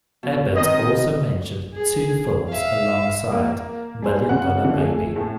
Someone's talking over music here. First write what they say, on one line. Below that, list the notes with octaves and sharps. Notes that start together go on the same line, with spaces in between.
Ebert also mentioned two films alongside "Million Dollar Baby".
B2
D#3 C4 B4 D#5
G#4
E5 F5
A#3
G3 G#4 C5
C#3 F#5
D3
A3 G#4
A2